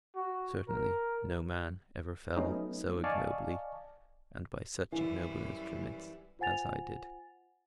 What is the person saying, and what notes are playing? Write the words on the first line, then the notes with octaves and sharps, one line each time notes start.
Certainly no man ever fell so ignobly, and by such ignoble instruments, as I did.
F#4
A#4
F#3 A3 B3 C#4 D#4
D5 D#5 F5 G#5 A5 C#6
F#2 E3 G3 E4
F4 C5 F#5 G#5 A6 F7